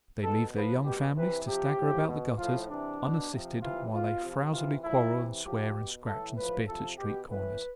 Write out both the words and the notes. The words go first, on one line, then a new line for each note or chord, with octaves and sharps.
They leave their young families to stagger about the gutters, unassisted, while they frouzily quarrel and swear and scratch and spit, at street corners.
B2 A4
A2 F3 B4
B2 G4
C3 E3 B4
C3 F3 G4
A2 F3
B2
A2 F3 F4
C3 E3 D4
B2
C3
F3
C3 E3 F4
B2 F4
C3 F3
C3 E3 F4
A2 F3 E4
C3 E3
A2 F3 G4
B2
A2 E3 A4
A2 F3 B4
C3 F3 A4
B2 G4
A2 E3 B4